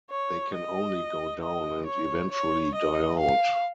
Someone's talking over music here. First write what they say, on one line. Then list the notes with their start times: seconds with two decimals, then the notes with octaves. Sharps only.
They can only go down, and eventually die out.
0.10 C#5
0.54 D#5
1.42 D#5
1.86 C#5
2.31 C#5
2.75 D#5
3.19 F5